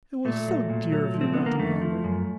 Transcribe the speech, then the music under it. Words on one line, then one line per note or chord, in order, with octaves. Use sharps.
It was so dear of you not to be angry!
A#2 A3
F#3
A#2
F#3
F3
C4
D3 B3
A#3
F2 A3
F3
F#2